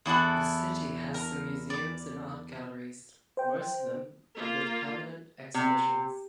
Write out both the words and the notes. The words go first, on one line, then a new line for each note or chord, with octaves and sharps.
The city has some museums and art galleries, most of them with permanent exhibitions.
E2 E4 A4 F#5
A#4
D5
C5 G5
A#3 F4
C3